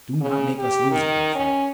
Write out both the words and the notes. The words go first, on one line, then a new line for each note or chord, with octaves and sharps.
"Do not make us lose it, my friend."
C#3
G4
D#3
C#4